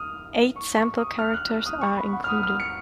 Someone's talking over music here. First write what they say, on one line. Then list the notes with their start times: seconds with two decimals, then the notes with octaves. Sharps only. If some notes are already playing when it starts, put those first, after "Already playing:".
Eight sample characters are included.
Already playing: D#6 F6
0.56 C#6
0.77 C#6
0.98 D#6
1.19 F6
1.34 F#6
1.50 F6
1.66 D#6
1.81 C#6
1.97 B5
2.13 F#5
2.24 F6
2.28 D#6
2.38 D#6
2.43 F6
2.60 C#7